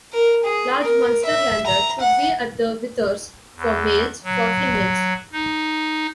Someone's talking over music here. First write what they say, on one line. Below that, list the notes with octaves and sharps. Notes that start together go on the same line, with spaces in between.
Large Munsterlander should be at the withers for males, for females.
A#4
G#4
A#4
E5
A#5
F#5
E2
F#3
D#4